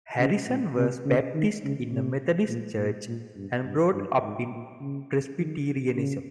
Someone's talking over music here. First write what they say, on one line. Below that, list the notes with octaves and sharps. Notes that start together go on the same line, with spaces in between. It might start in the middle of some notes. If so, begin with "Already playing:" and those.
Harrison was baptised in a Methodist church and brought up in Presbyterianism.
C#3
A#2
C3
C#3
D#3
C#3
C3
A#2
A#2
A#2
G2
G2
G2
G#2
A#2
C#3
D#3
C#3